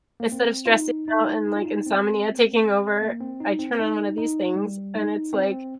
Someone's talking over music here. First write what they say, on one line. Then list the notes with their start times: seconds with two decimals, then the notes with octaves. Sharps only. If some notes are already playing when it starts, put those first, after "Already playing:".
Instead of stressing out and, like, insomnia taking over, I turn on one of these things, and it's like
0.20 A#3
0.32 C4
0.66 F4
0.70 D#4
1.08 D#4
1.47 D#4
1.56 F4
1.65 D#4
1.86 C4
3.02 A#3
3.20 C4
3.40 D#4
3.59 C4
3.79 D#4
4.18 D#4
4.56 G3
4.95 D#4
5.33 C4